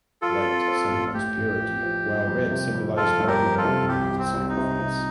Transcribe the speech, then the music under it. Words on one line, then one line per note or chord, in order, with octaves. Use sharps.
White symbolized purity while red symbolized martyrdom and sacrifice.
F3 F4 A4
C4
C4
A1
A2 G4
A1
F3
F3
G1
F2
C3
F2
F2 F4 A4
G1
G4 A#4
F2
F4 A4
C3
C2 G4
C2
C4
C2
D#4
C3
C3